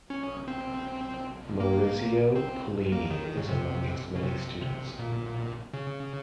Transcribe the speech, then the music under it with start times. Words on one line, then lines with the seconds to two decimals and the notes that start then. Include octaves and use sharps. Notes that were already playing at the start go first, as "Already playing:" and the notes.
Maurizio Pollini is among his many students.
0.10 C#4
0.48 C4
1.60 A#3
2.36 C4
2.92 A#3
3.11 D#3
3.37 C#3
3.48 C3
4.15 C#3
4.23 C3
4.61 C3
4.99 A#2
5.73 C#3